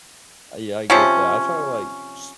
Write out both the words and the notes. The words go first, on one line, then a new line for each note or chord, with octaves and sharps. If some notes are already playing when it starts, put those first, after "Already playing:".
Uh, yeah, I get that. I try to, like, s
C3 F3 C#4